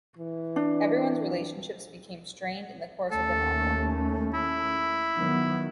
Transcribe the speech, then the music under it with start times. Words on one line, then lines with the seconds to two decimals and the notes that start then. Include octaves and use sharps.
Everyone's relationships become strained in the course of the novel.
0.18 E3
0.56 D4
3.11 D#2 A3 C#4 A4
4.34 E4
5.16 D#3 F#3 B3